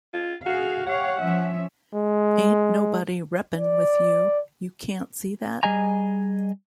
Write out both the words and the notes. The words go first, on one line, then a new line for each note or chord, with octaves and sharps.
Ain't nobody reppin' with you, you cant see that?
F4
F#4 G#4 F5
G4 C#5 F5 F#5
F3 C#4 E5
G#3
D5
G3 G#4 D#5 G#5 A#5